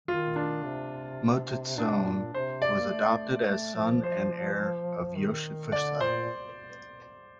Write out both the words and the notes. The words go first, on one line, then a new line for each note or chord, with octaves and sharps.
Mototsune was adopted as son and heir of Yoshifusa.
D#3 F4
D4
C3
A#2 D4
C3
A#2
C3 C5
D5
A#3
A3
A3
F3
C5
D#3
D3 D5
A#2 C5